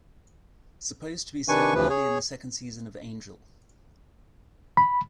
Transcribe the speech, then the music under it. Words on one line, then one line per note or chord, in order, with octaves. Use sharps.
Supposed to be set early in the second season of "Angel".
C3 D#3 D4 B4 G#5 C#6
D2 C3 E3 F3 B4
G#4 C#5
B5